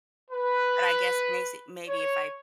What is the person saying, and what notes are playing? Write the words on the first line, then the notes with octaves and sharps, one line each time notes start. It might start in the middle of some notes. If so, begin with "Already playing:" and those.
but I guess macy maybe if I
B4
C#5